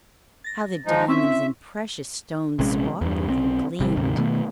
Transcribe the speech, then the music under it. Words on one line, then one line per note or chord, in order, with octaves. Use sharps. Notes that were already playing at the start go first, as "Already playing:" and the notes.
How the diamonds and precious stones sparkled and gleamed!
A6 A#6
F3 G#3 D#4
C4 C#4 E4 E5
A#1 C3 G#3 C#4
E2 G2
B1 C4
G#1 C3 G3
D2 G#2 C3 D#3
B2 D#3 A3 B3